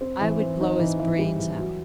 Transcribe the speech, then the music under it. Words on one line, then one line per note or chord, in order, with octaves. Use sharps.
'I would blow his brains out.'
C4
E3
C4
D#4
E3
E3
G3
E3
F#3